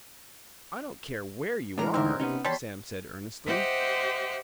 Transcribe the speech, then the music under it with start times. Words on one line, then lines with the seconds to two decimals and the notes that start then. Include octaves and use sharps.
"I don't care where you are," Sam said earnestly.
1.78 A2 E3 G#3 C#4 D4 A#4 A#5
1.94 D3 C4 D#4 A#4
2.20 C3 B3 C#4 D#4
2.45 E2 B2 G3 C#5 A5 C6 B6
3.47 G4 C5 D#5 E5 F#5